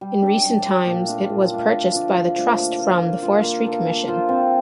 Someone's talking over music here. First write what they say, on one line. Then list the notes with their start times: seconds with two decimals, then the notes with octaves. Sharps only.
In recent times it was purchased by the Trust from the Forestry Commission.
0.01 G3
0.22 D4 A4 D5
0.44 G3
0.66 D4 A4 D5
0.86 A#2
1.08 A3 D4 F4
1.30 A#2
1.51 A3 D4 F4
1.72 D3
1.94 F3 A3 D4
2.15 D3
2.36 F3 A3 D4
2.58 A#3
2.79 F4 C5
3.01 A#3
3.22 F4 C5
3.43 A#3
3.65 F4 A4 C5
3.86 A#3
4.08 F4 A4 C5
4.29 C4